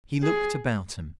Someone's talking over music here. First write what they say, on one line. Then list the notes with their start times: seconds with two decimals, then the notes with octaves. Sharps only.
He looked about him.
0.23 G#4